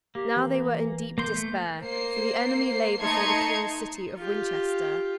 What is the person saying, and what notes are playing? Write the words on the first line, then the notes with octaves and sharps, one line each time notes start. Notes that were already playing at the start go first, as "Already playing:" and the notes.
Now they were in deep despair, for the enemy lay before the King's city of Winchester.
A#3 G4
E3
A#3 C6 G6
A3
A#3 C5 C7
A3 D#4 A5 C6 G#6 C#7
F4 G4